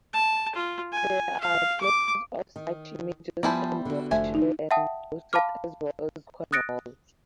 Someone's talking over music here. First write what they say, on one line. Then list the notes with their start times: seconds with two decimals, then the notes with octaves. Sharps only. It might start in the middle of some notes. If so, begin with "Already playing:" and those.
There are 'clusters' of such images in Yorkshire and Dorset as well as Cornwall.
0.13 A5
0.55 F4
0.92 G#5
1.40 F5
1.81 D6
2.56 D#3
3.43 F3 G3 B3 E4 C5 G#5 A5
3.85 D3 F#4
4.11 F1 F3 A3 E5 G#5
4.35 D#4
4.71 E5 F#5 G5 A5 D#6
5.33 F5 A5 B5 D6 F6
6.52 D#6 F#6 A6 A#6 C#7 D7